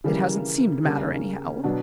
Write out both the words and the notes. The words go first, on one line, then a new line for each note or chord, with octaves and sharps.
"It hasn't seemed to matter, anyhow."
C#3 E3 G3 A#3
C#3 G3 A#3
B2 F#3 B3 D4